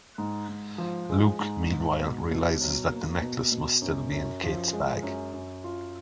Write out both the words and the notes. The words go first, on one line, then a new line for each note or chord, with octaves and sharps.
Luc, meanwhile, realizes that the necklace must still be in Kate's bag.
G#2
G#2
F3
G#3
G#2
G#2
B2
B2
F#3
A#3
B2
B2
F#2
F#2
F3
G#3
F#2
F#2
F4